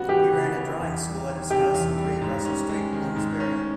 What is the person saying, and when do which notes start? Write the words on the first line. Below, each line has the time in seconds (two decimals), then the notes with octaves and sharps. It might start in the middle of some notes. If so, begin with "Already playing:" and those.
He ran a drawing school at his house in Great Russell Street, Bloomsbury.
Already playing: C#3 G3 B3 F#4
0.09 E3 G4
0.33 C#3
0.56 B3
0.80 E2
1.03 G3
1.27 D#3
1.50 C3 G4
1.74 E2
1.98 G3
2.21 G#2
2.45 C#4
2.69 G#3
2.93 D#3
3.16 G#2
3.40 C#4